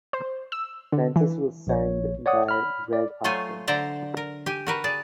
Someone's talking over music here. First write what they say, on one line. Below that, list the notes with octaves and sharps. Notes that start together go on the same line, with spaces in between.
Francis was signed by Greg Hopkins.
C5
E6
D3
E3
A#1 C#5
C#5 D5 F#5 D#6
B5 F6
D5
F#3 A3 F4 C5 C#5 G#5
D3 C5 D5 E5 A#5
A#4
G4 G#5
F#4 A#4 B4
G#4 D5 A5